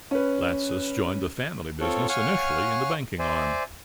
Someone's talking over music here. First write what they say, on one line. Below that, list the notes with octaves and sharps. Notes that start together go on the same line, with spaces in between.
Latsis joined the family business initially in the banking arm.
C#4 B4
C4 F4 A4 C#5
C#5 F5 F#5 G#5 C#6 F6
C5 D5 E5 G#5